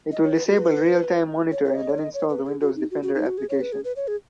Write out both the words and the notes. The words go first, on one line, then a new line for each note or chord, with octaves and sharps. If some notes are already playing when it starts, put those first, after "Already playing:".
It will disable real time monitor and uninstall the Windows Defender application.
D#5
C#5
B4
F#4
B4
C#5
C#5
D#5
C#5
D#5
C#5
B4
G#4
F#4
D#4
F#4
F#4
D#4
F#4
G#4
C#5
B4
G#4
B4
C#5
G#4